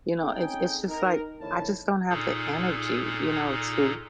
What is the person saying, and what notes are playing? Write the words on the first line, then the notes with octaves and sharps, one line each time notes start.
you know, it's it's just, like, I just don't have the energy, you know, to
C4 C#4 D#4 G#4 A4 G5
D#4 A#4
A#1 F2 D#3 E4 C#5 A5
A#2 D#4 G#4 A4